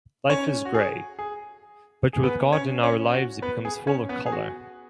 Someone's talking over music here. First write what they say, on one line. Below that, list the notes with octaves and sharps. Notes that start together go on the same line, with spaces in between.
Life is grey but with God in our lives it becomes full of colour.
C#4 C#5
F#4
G#4
G#4
G#4
B3 B4
C#4 C#5
C#4 C#5
F#4
B3 B4
G#4
C#4 C#5
B3 B4
G#4
F#4